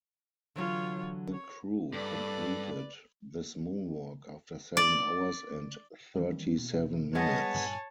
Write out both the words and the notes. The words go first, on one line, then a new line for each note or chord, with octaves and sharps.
The crew completed this moonwalk after seven hours and thirty-seven minutes.
D3 E3 F#3 F4 C#5
C#5
G2 A4 B4 D5
D5
D#3 E3 G3
B2
G3 G#3 B3 C#5 D#5 A5
G2 A#2 G#5